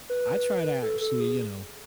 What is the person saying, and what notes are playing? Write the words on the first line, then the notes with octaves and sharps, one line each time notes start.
I try to actually, you know,
B4
A4
A4
G#4